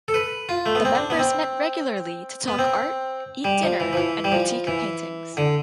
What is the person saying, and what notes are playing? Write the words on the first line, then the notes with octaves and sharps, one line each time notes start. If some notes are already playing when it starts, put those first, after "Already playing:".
The members met regularly to talk art, eat dinner, and critique paintings.
A4
B4
F4
A3
B3
C4
D4
B3
C4
B3
C4
G3
F3
E3
F3
E3
G3
F3
E3
D3